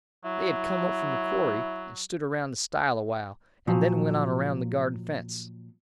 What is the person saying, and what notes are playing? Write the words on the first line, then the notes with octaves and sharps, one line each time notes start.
They had come up from the quarry and stood around the stile a while, and then went on around the garden fence.
F#3 E4
A#2 F3 F#3